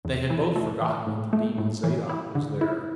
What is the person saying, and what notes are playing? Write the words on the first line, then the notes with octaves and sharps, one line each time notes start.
They had both forgotten that the Demon Zadok was there.
E2
E3
A3
E3
A2
A3
A2
E3
E4
D3
E4